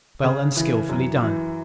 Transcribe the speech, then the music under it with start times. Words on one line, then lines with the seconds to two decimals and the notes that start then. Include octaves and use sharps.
Well and skillfully done.
0.23 C#3
0.57 E3
0.89 F#2
1.22 E3